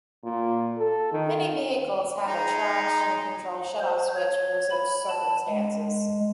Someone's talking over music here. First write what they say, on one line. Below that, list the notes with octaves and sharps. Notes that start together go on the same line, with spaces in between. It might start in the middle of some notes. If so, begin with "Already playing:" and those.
Many vehicles have a traction control shut-off switch for such circumstances.
A#2
A4
D#3
G#3 D#4 A#5
C5
C#5
B5
A5
G#3